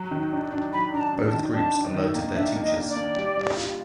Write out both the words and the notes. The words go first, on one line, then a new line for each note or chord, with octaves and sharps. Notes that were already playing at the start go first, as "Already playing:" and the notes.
Both groups alerted their teachers.
Already playing: F#3
D#3
D4
D4
F#3 B5
D4 A#5
A5
D4
A5
D#3
D4 A5
D4
D#3
A#3
D4 E5
A#3
D#5
A#3
D5
A#3
G3
G3
F4